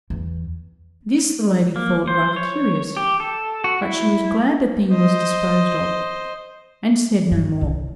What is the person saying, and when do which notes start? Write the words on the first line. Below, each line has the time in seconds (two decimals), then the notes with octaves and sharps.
This the lady thought rather curious, but she was glad the thing was disposed of, and said no more.
0.10 E2
1.76 A#3
2.08 C5
2.36 C#5
2.97 G4
3.20 A4
3.64 F#4
3.82 E4
4.91 C5 D#5
7.31 G2
7.61 C2